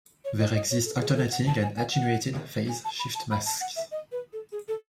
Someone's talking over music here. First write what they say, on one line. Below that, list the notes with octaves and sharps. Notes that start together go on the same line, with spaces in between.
There exist alternating and attenuated phase shift masks.
C#5
D#5
D#5
C#5
A4
G#4
A4
F#5
A5
G#5
G#5
F#5
G#5
A5
B5
A5
B5
A5
F#5
E5
D#5
B4
A4
G#4
A4